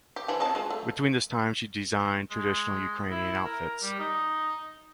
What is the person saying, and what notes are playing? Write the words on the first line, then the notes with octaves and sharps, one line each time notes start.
Between this time she designed traditional Ukrainian outfits.
G4
E3 F3 D4
C4 D#5 A5
G#3 F4
A3
G#3
E4
A#4
G3
D#4